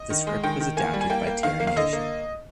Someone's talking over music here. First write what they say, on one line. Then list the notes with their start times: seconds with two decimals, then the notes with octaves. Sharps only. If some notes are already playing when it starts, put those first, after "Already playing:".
The script was adapted by Terry Nation.
Already playing: D#5
0.10 D#3
0.27 G#3
0.43 D#3 G5
0.60 D#3
0.77 A#3 G#5
0.94 G3
1.01 G#5
1.10 A#3 G5
1.27 A#3
1.43 D#3 F5
1.60 A#3
1.67 F5
1.76 D3 D#5
1.93 A#3